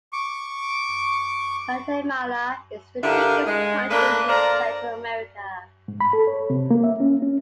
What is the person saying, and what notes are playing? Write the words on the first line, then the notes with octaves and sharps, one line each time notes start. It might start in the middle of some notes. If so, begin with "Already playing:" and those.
Guatemala is the biggest country in Central America.
C#6 D6
D3 E4 G4 A#4 F5
G#3
A3 A#3 D4 A#4 B4
A4 C5 D5 F5 A#5
G#2
B5
A4
C#5
C3
A#3
E5
C#4
C#4